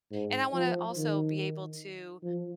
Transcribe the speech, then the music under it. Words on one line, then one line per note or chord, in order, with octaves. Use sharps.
and I wanna also be able to,
G#2
F3
D#3
F3